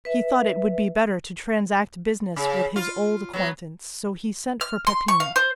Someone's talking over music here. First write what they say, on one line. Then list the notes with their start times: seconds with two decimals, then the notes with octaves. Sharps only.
He thought it would be better to transact business with his old acquaintance, so he sent for Peppino.
0.05 B4 E5
2.36 C#3
2.76 F4
3.33 F#3 B3
4.61 F6
4.87 C6
5.08 C#6
5.20 F5
5.36 C5